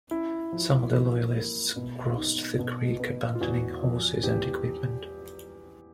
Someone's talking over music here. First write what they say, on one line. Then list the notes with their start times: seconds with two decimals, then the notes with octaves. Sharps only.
Some of the Loyalists crossed the creek, abandoning horses and equipment.
0.11 C#4 E4
0.52 F3
0.94 F3
1.35 A#3
1.76 B2
2.17 D#4
2.59 B2
3.00 B3
3.35 F4
3.41 E2 F#4
3.82 F3
4.23 E2 G4